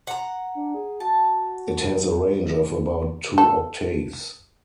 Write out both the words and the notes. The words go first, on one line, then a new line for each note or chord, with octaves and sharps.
It has a range of about two octaves.
F#5 A#5
D4
G#4
F#4 A5
F#3
A4